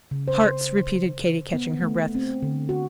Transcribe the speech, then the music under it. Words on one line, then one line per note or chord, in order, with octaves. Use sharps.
"Hearts," repeated Katy, catching her breath.
C#3
C5
B3
A3
C4
D3
F#4